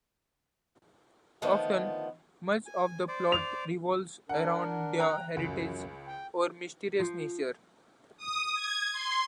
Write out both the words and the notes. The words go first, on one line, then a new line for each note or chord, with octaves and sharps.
Often, much of the plot revolves around their heritage or mysterious nature.
D3 D#3 F3 A3 B3
G#5
C5 D5 D6
F7
D4 A#4 F#5
G5 A#5 F#6
C#2 F#2
G5
F3
D#6
G#6
C6